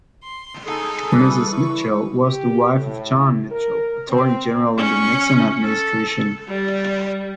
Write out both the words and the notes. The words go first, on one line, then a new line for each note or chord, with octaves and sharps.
Mrs. Mitchell was the wife of John Mitchell, Attorney-General in the Nixon administration.
C6
D#4 G#4 A4
E3 G3 D4 B4
E4 C#6
G4
A2
A#4
C4
C#4
A4
G3